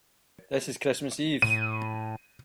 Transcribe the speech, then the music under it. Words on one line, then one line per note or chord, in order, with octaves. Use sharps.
This is Christmas Eve.
A2 D#7